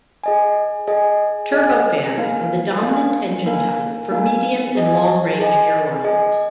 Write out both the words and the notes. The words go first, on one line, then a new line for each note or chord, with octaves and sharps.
Turbofans are the dominant engine type for medium and long-range airliners.
G#4 D#5 G#5
G#4 D#5 G#5
G#4 D#5 G#5
A#3 D#4 A#4 F5 G#5
A#3 D#4 A#4 F5 G#5
A#3 D#4 A#4 F5 G#5
A#3 D#4 A#4 F5 G#5
G#4 D#5 G#5
G#4 D#5 G#5
G#4 D#5 G#5